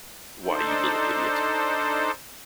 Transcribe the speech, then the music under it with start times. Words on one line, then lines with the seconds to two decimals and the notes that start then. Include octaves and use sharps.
Why, you little idiot!
0.45 D4 D#4 A4 C5